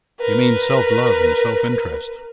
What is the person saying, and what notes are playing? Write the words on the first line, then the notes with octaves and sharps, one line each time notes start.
You mean self-love and self-interest.
A#4 B4